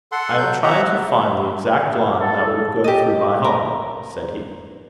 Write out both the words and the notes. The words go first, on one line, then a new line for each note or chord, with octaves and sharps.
"I am trying to find the exact line that would go through my home," said he.
A4 F#5 C6
F#3 G6
E5 F#5 A#5
A4
G4 D#5
A#4